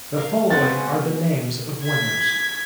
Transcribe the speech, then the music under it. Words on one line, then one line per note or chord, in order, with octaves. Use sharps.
The following are the names of winners.
A#4 F5
B2 G#3 C4 F#4 B4 C5 F#5 A6
G#5
G#6 B6